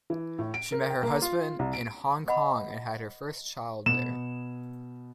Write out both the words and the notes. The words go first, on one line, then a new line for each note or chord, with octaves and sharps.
She met her husband in Hong Kong and had her first child there.
E3
A2
D7
A#4
G5
A#3
F4
C2
D7
D#5 F#5 B5
B2 E7